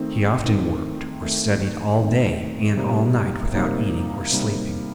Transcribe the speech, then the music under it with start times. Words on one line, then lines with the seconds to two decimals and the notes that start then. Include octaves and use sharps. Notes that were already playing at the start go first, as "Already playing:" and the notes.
He often worked or studied all day and all night without eating or sleeping.
Already playing: D#3 A3 C4 D#4
0.45 D#3 A3 C4 D#4
1.22 D#3 A3 C4 D#4
2.00 D#3 A3 C4 D#4
2.77 C3 G3 A#3 D#4
3.55 C3 G3 A#3 D#4
4.32 C3 G3 A#3 D#4